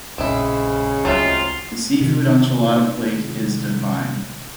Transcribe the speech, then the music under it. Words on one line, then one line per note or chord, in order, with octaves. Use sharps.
The seafood enchilada plate is divine.
A#1 F2 C#3 G#3 C4 E4
D2 F#3 C4 F4 E5
C3 D#3